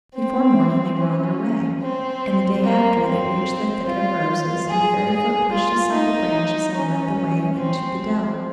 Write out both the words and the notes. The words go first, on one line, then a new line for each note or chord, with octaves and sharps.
Before morning they were on their way, and the day after they reached the thicket of roses, and Fairyfoot pushed aside the branches and led the way into the dell.
C4
C#4
C4
A#3
C4
F4
G#4
G#4
F4
D#4
C#4
C4